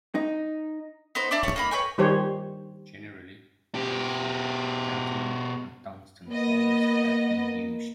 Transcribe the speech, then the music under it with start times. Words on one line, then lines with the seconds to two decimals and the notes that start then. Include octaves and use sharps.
Generally, therefore, tantalum or tungsten targets have been used.
0.15 D#4
1.15 B3 D#4 C5
1.31 D4 E4 D5
1.43 C#5 A5
1.56 A#3 D#4 B5
1.71 B4 C#5 G5 G#5
1.98 D#3 G3 G4 C5 C#5
3.75 B2 G4
6.29 A#3 B3 D#5